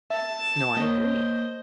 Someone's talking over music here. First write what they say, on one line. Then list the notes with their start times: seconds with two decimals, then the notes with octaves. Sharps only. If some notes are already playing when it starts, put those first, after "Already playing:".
No, I agree.
0.10 E5 A5
0.77 A#3 C5 C#5 D#5